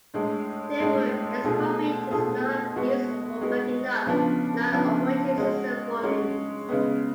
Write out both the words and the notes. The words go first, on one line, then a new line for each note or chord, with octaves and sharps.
Therefore, Xcopy is not useful for backing up live operating system volumes.
A2 G#3 D4
A2 G#3 D4
B2 A3 F4 G#4
B2 A3 F4 G#4
G#3 B3 F#4
G#3 B3 F#4
C#3 F3 B3 D4
C#3 F3 B3 D4
G#3 C#4 F#4
G#3 C#4 F#4
C#3 G#3 B3